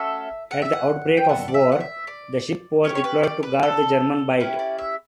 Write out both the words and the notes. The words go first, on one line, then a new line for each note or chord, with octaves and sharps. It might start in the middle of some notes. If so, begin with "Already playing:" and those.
At the outbreak of war, the ship was deployed to guard the German Bight.
Already playing: A3 C#4 F#4 A4 E5
F#5
E5
F#5
G5
B3 F#4 A4 F#5
D5
E5
F#5
E5
D5
C#4 G4 C#5
C#5
B4
D5
B4
A4
C#4 E4 G4 B4
D5
E5